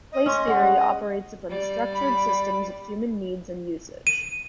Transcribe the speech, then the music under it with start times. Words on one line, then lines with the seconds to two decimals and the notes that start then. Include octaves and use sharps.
Place theory operates upon structured systems of human needs and usage.
0.12 D#5
0.26 C#4 C6 C#6
0.47 G#3 F#5
0.75 D#5
1.49 G3 D5
1.94 B5
4.07 D#7